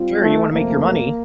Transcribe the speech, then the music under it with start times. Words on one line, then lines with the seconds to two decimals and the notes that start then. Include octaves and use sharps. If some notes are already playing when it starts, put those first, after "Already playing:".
Sure, you wanna make your money.
Already playing: G3 C4 F4
0.21 A3
0.52 F2 C3 F3 A3 A#3